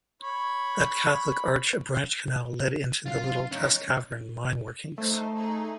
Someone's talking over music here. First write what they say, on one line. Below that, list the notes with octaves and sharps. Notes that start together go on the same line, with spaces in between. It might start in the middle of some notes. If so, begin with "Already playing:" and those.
At Cathedral Arch a branch canal led into the Little Tess Cavern mine workings.
C#5 B5
C#3 F#3 F4 F5
C#4 D#4
A3 D#4 C5
D#4 G#4